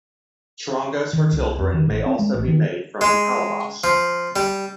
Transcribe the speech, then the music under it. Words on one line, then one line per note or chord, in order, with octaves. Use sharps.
Charangos for children may also be made from calabash.
D#3
C2
F2
D#3
A1
C4
G#3
A1
D#3
G#3
F3
G3